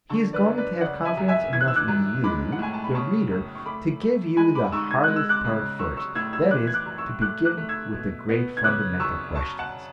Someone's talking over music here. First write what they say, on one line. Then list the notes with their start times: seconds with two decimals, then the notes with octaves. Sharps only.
He is going to have confidence enough in you, the reader, to give you the hardest part first; that is, to begin with the great fundamental questions.
0.10 D3 A5 C#6
0.33 B4 D5
0.46 F#2
0.58 B4 D5
0.81 C#3 D5 F#5
1.05 E5 G#5
1.17 F#2
1.28 E5 G#5
1.53 E3 G#6
1.61 F#6
1.68 E6
1.76 D6 F#6
1.88 F#2
2.24 G#3 B5 D6
2.52 F#5
2.59 A2 G#5
2.73 A5
2.84 B5
2.94 C#3 A5 C#6
3.30 F#2
3.55 C#6
3.66 A3 B5 D6
4.01 A3
4.37 G#3 G#5 B5
4.55 B5 D6
4.72 G#2 C#6 E6
4.91 G#6
5.04 G#3 F#6
5.16 E6
5.29 D6 F#6
5.44 C#3
5.79 F#3 C#6 E6
5.97 C#6 E6
6.15 A2 E6 G#6
6.33 E6 G#6
6.50 E3 D6 F#6
6.67 G#6
6.74 D6 F#6
6.86 F#2
6.98 C#6 E6
7.22 A3 D6 F#6
7.45 D6 F#6
7.57 A3
7.69 E6 G#6
7.93 B2
8.29 B3
8.57 G#6
8.64 C#3 D6 F#6
9.00 F#2 C#6 E6
9.35 F#3 A5 C#6
9.59 F#5 A5